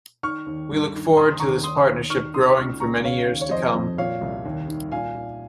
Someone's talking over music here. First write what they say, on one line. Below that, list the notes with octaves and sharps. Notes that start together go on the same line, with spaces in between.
We look forward to this partnership growing for many years to come.
D#3 C#6 F6
D#2
G2
D#3
D#2 C6 D#6
D#2 A#5 C#6
D#2 C6 D#6
D#2
D#3 C#6 F6
D#3 C6 D#6
C#2 C#6 F6
C#2 A#5 C#6
C#3 C#5 F5
D#2
C#5
F2 C5 D#5
F2
A#2 C#5 F5
C2
D#2
D#3
A#2 F5 G#5
A#2